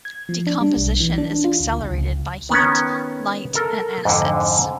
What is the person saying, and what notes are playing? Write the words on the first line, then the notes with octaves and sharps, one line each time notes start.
Decomposition is accelerated by heat, light, and acids.
G#6
F3
D4
G3
B1
E3
D4
F4
D2
C#2
C#2
D#3 B3 C#4
A4 A#4
F2 G#2 D3